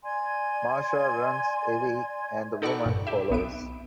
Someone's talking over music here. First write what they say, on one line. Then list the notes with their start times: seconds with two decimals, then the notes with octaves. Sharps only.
Marsha runs away and the woman follows.
0.03 D5 G#5 C6 G#6
2.62 D#4 A4 D5 F#5 B5 C#6
2.86 G2 A#2
3.07 G4 E5
3.30 B1 B3 E5 D7